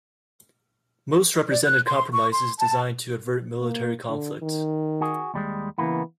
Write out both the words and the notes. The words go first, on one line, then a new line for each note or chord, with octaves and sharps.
Most represented compromises designed to avert military conflict.
D5
F#6
C6
C#6
C6
A5
A#3
D3
D#3
F#4 G#4
D#2 G3 G#3
C#3 E3 A#3 B3